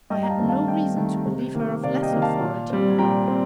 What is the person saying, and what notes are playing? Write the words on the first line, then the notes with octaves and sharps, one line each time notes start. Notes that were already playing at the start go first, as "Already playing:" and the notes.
I had no reason to believe her of less authority now.
G2 D#5 G5
A#5
F5 A5
D#3 A3 C4
F5 A5
G2 D#5 G5
D#3 A3 C4
C3
D#3 A#3
C3 D5 F5
D#5 G5
D#3 A#3
F5 A5
A#2
G3 C4
A#2 G5 A#5
C4